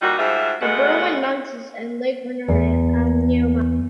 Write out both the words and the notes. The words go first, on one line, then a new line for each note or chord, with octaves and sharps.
The Berwyn Mountains and Lake Vyrnwy are nearby.
A#2 G3 D#4 F#4
G#2 G3 F4 C5 E5
D2 B2 G#3 A3 F#5
E2